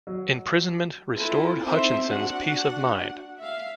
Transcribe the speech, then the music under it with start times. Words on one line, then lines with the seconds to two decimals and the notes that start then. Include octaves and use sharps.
Imprisonment restored Hutchinson's peace of mind.
0.07 F#3
1.16 C4 E4 F4 A4 B4
1.62 C4 D#4 C5 E5
2.08 D4 F#4 F#5
3.39 E5 F5